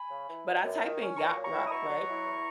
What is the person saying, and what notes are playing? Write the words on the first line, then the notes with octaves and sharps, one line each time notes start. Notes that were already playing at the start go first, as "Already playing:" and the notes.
but I type in Yacht Rock, right?
Already playing: G#5 B5
C#3
E3
D#4
F#2
D#3
C#4
A#2 A#5 C#6
F#3
A#5 C#6
E4
D#6
B2 A#5 C#6
F#3
E4
E2